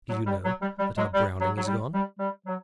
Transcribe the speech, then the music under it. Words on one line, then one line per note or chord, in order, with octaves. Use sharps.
Do you know that our Browning is gone?
F#3
G3
F#3
G3
G3
F#3 G#3
G3
F#3
F#3
G3
G3
G3
F#3